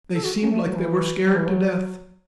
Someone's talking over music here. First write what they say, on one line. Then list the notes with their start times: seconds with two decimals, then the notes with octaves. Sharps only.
They seemed like they were scared to death.
0.15 A4
0.24 F#4
0.43 C#4
0.52 A3
0.64 F#3
0.76 E3
1.26 F#3
1.37 E3
1.47 F#3